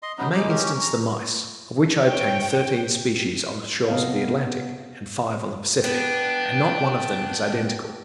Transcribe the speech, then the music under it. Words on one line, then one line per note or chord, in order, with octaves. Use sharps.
I may instance the mice, of which I obtained thirteen species on the shores of the Atlantic, and five on the Pacific, and not one of them is identical.
D#5 C6
F#3 B3 C#4 D#4
G#3 D#4 D6
C#4 G4 A#4
C#6
A#5
C#5 G5
C3 B3 A4 D#5 F5
B3 D4 G5